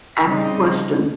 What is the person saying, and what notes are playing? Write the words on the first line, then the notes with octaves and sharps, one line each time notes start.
ask the question.
C#3 G3 C4 D#4